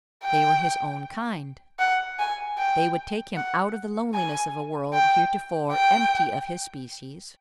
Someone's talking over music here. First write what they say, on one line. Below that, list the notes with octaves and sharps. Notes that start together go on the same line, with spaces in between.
They were his own kind, they would take him out of the loneliness of a world heretofore empty of his species.
G5
F#5
G#5
G5
F#5
G#5
G5
G5